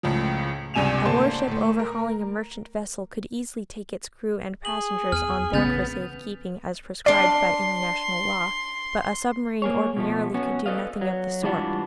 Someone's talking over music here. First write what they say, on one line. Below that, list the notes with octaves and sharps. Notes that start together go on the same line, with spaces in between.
A warship overhauling a merchant vessel could easily take its crew and passengers on board for safe keeping as prescribed by international law; but a submarine ordinarily could do nothing of the sort.
C#2 A2 C#3 F3
C#2 G2 C3 G#5 E7 F7
A2 D3 A#3 C5 A5 C6
A2 A3
A#4
G#4 F#7
E2 F6 D#7
A1 C#3 B3 C#4 G6 A6 F7
D4 D5 F5 C6
A#3 G#4 C#5
B2 F3 A3
B3 C#4 F#4
A4 B4 C5 D5 D#5 F5
F#3
G#2 E3 G3 D4 F4 F#4